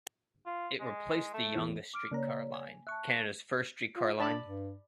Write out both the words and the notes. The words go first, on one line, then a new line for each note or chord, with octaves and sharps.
It replaced the Yonge streetcar line, Canada's first streetcar line.
F4
G#3
A3
E2
D6 F6 D7
C#3 A#3 C#5 D5 A#5
G#5
E5 A5 C#6 F#6
F4
D4 D5 A5 B5
G2